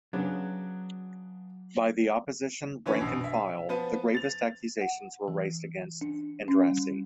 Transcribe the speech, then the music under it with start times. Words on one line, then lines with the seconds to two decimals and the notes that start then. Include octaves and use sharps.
By the Opposition rank and file the gravest accusations were raised against Andrassy.
0.13 C#3 F#3 B3 D4
2.86 D3 E3 C#4 B4 C#5
3.01 A#1 B2
3.24 E5
3.69 F3 B3 B4
4.14 A6 F7
4.81 F#5
5.28 E3
6.01 D4
6.48 C#4
6.71 G3